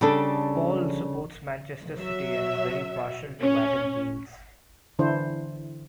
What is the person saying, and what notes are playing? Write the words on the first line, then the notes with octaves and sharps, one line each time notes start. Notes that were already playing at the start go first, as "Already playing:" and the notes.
Paul supports Manchester City and is very partial to Wagon Wheels.
C#3 G3 D4 A4
F#3 E5
C#4
D3 E3 D4 E4 C5